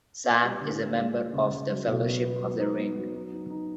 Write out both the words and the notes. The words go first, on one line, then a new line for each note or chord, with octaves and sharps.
Sam is a member of the Fellowship of the Ring.
B3
G3
D3
E4
G#3
G#3
C#3
C#3
F#3
B2
B3
B3
F#3
D#4
B3
F#3
D#4
D#4
D#4